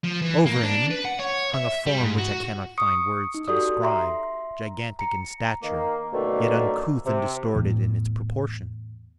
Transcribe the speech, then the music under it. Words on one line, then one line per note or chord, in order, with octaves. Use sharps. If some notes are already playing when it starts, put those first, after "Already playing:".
Over him hung a form which I cannot find words to describe--gigantic in stature, yet uncouth and distorted in its proportions.
F3
E3
A#3
D4
B4
F#5
C#5
E5
G3
G#2
F#4
C#6 D#6 C#7
D#4
F#4 G4 A4 D5 D#6
E5 A#5 C6
A#5 C#7
D#3 A#3
F#2 B2 D3 D#3 A3 A#3
C3
E2 A2 E3